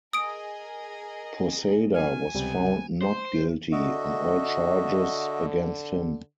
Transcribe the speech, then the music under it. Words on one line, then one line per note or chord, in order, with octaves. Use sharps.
Posada was found not guilty on all charges against him.
G#4 A#4 D#5 D#6 D7
F#3 G#5 F6
C#2 C3 F3 G3 B3 C4
C5
D3 F#4 D#5 E5